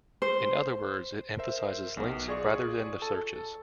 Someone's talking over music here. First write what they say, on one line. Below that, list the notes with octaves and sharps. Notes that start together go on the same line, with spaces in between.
In other words, it emphasizes links rather than the searches.
C5
A#4 C5 E5
B1 B3
F4 G#4 D5 C#6
A4 A5